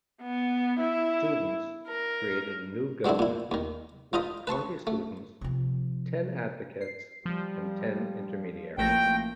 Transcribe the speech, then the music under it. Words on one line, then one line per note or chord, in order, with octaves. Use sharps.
Students created a new government with twenty students, ten Advocates and ten Intermediaries.
B3
E4
A#4
F#3 G#3 C4 D4 E4
A#2 E4
D#2 D#3
F3 D#4 F4 D#5 B5
B4 A5 C6 C#6
A3
C3 F3
C7
F3 G3
A1 F3 A3 A#3 G5 A#6